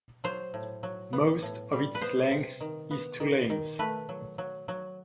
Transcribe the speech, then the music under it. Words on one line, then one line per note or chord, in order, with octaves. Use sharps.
Most of its length is two lanes.
F#3 C5
A2
F#3
B3
A2
G3
B4
B3 C5
C3
D#3
B3
D#3
D#3
A3 B4
F#3
F#3
F#3